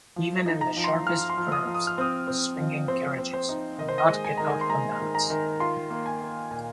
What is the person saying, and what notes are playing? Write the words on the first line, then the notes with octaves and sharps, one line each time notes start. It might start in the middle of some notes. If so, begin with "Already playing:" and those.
Even in the sharpest curves the swinging carriages could not get out of balance.
F3
D#4
A#5
F3
C6
F3 F6
C6
F3
D#6
F3
D#6
F6
C4 D#6
C4
F3
C4 C5
C4
C5
D#4
D#3 D#5
C5
D#5
G#3
G#5
D#3 A#5
G#5
C6
G#3 A#5
D#3
A#5
D#3
F4 C6
A#3
G#5
A#3
A#2 G#5